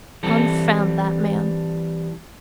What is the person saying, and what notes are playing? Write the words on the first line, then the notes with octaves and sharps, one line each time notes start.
"Confound that man!"
E3 G3 C4 A4